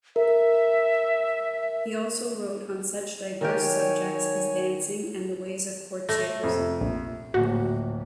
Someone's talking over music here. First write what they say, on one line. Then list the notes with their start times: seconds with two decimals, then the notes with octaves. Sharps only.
He also wrote on such diverse subjects as dancing and the ways of courtiers.
0.16 A#4 E5
3.41 D#3 F#3 G4 C#5 G#5
6.09 A3 A#6
6.43 F2 C3
6.81 A#1
7.34 D1 A#1 F#4